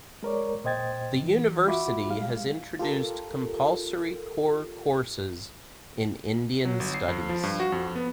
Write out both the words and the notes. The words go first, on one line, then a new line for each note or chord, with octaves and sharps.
The university has introduced compulsory core courses in Indian studies.
G#3 A#4 C#5 D5
A#2 C5 D#5 G5 G#6 A6
E3
F4 F#4 E5 B5 D6
G3 G#3 F5
F4 G4 A4 A#4
F#3
G1
C7
F2
F3
G2
F#4
F2
B3